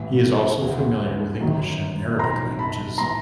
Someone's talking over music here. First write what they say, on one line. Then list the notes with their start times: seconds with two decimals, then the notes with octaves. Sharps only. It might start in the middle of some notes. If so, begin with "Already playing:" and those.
He is also familiar with English and Arabic languages.
Already playing: A1 A2 E3
0.62 D2 C#3 E3
1.41 G1 F#2 D#3
2.19 B1 A2 E3 A#5 C6
2.59 A5 B5
2.98 A2 E3 A#5 C6